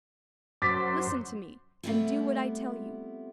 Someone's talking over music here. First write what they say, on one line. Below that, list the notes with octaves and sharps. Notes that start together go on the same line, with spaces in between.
Listen to me, and do what I tell you.
F#2 C5 D6 A6 B6
G3 A3 B3 C4 E4 F4